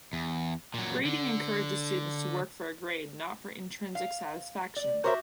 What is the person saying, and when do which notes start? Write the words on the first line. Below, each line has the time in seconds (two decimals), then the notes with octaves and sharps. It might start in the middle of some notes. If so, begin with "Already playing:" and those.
Grading encourages students to work for a grade and not for intrinsic satisfaction.
0.13 E2
0.74 A#2 F#3
1.05 D3
3.95 F5
4.76 D5
5.04 F#4 G4 A#4 C5 C#5 E5